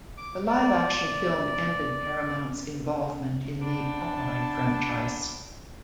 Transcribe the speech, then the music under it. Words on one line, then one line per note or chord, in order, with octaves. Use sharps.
The live-action film ended Paramount's involvement in the "Popeye" franchise.
D6
D5
B3 C4 D4 A5